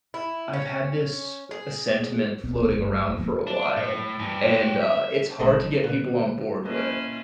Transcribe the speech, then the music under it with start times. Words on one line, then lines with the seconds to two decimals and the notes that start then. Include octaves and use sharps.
I've had this, uh, sentiment floating around for a while, and, uh, it's hard to get people on board with.
0.14 E4
0.53 C#4
1.51 G#4
2.44 D1 B1 B3 C4
2.77 G1 G2 A3
3.06 F1
3.18 D#1 F3 A#3
3.47 D4
3.77 A2
4.19 G2 E3
4.49 F#4 G4
4.82 E5
5.40 G#1 E3 G#3 A3 D#4 A5 B5
5.84 A#2 D3 B4
6.65 A#3 C#4 E4 F4 A4 B4 D#5